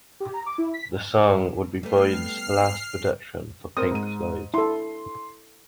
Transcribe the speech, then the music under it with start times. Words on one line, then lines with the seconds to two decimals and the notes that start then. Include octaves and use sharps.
The song would be Boyd's last production for Pink Floyd.
0.20 G4
0.34 A#5
0.46 D6
0.58 E4
0.74 B6
1.83 G3 A3 B3 F6 C7
3.77 C4 A#4 D#6
3.92 G#2 D#7
4.54 E4 A4 C6